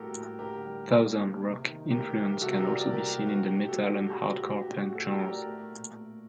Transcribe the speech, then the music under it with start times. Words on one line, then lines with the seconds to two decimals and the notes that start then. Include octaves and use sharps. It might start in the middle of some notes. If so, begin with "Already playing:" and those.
Southern rock influence can also be seen in the metal and hardcore punk genres.
Already playing: A2 G3 A#3 F#4 G4 A4 A#4
0.14 A2
0.39 D3 G4 A#4
0.64 G3
0.90 A#3
1.15 D2
1.41 C3
1.65 D#3
1.91 A3 G4 A#4
2.08 G4
2.16 C2
2.25 G4
2.41 C3 F#4 A4
2.54 G4 A#4
2.67 G3 A#4 D5
2.80 A#4 D5
2.92 A#3 G4 A#4
3.10 G4
3.18 C2
3.27 F#4
3.43 F#3 G4
3.56 G4
3.68 A3 F#4 A4
3.81 F#4 A4
3.94 A2 G4
4.11 F#4
4.19 A2
4.28 G4
4.44 A3 F#4
4.61 G4
4.70 A2
4.78 F#4
4.95 A3 F#4 A4
5.11 G4 A#4
5.21 A2
5.29 A#4 D5
5.46 A3
5.72 A#2
5.96 A3